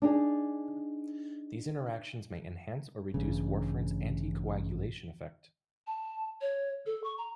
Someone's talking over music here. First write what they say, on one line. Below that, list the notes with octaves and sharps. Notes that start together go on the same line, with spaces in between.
These interactions may enhance or reduce warfarin's anticoagulation effect.
D4 D#4 G#4
A1 G2 C#3
A5
C#5
A4
C#6
A#5